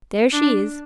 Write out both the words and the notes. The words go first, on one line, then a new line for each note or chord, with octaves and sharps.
There she is.
D4